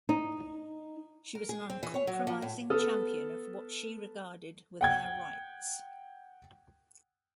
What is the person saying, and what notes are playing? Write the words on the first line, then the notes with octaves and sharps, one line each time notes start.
She was an uncompromising champion of what she regarded were their rights.
D#4
A#4
G#4
C4
E3
C#5
F#3
F3
A2
B3 A4 D#6 F6
F#5 G5 G#6